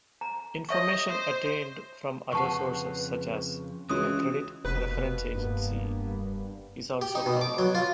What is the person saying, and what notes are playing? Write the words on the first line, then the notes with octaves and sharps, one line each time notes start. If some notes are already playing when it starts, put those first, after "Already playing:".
Information attained from other sources, such as a credit reference agency, is also covered.
A#5
C#5 D#5 E5 C#6
C5
F2 C#3 B4 F#5 A5 C#6
C#2 E3 F#4 C6 D#6
F1 B2 A#3 B3 B4
G2 A#3 B3
G4
D#4
B2
D6
F#3
F4